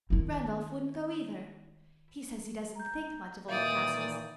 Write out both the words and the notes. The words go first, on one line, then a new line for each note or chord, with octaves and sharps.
Randolph wouldn't go either; he says he doesn't think much of old castles.
D#3 E4
A#5 G6
A#2 D#3 E3 D5 E5 F5 D#6 G6